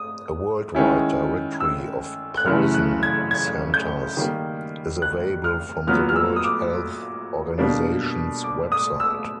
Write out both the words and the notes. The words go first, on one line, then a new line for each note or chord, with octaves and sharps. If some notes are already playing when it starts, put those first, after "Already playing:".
A worldwide directory of poison centers is available from the World Health Organization's website.
Already playing: D#6
D#3 G#3 C#4 E4
E6
F#6
F#2 C#3 E3 A3 F6
F#6
G#6
G#6
G6
D#3 G3 A#3
F#6
F6
A#2 F#3 B3 F6
F6
E6
D#6
D6
B2 G3 A#3 D4
D6
D#6
E6